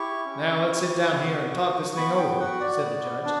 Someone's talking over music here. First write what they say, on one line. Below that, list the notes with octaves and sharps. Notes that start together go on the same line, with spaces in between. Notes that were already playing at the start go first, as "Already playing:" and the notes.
"Now let's sit down here and talk this thing over," said the Judge.
Already playing: E4 G4 C#6
C#4
E4
G4
B3
F#4
B3 B5
G5
F#4 F#5
D5
B3
D4